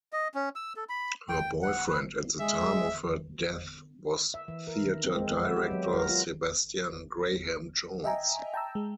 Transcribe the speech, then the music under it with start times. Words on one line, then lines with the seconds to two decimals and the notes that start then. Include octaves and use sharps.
Her boyfriend at the time of her death was theatre director Sebastian Graham-Jones.
0.13 D#5
0.34 C#4
0.55 E6
0.76 A4
0.89 B5
1.29 G5
1.62 F#5
1.87 B4
2.40 G#3 G#4 E5
4.34 E5
4.48 E3
4.67 A#4
4.84 D#3
5.04 C4
5.16 G#3
5.31 B3
5.44 E5
5.56 G4
5.71 F#3
5.93 A#4
6.09 F4
8.04 D#5 E5 G5 G#5 A#5
8.54 G5 A5 A#5 E6
8.75 G#3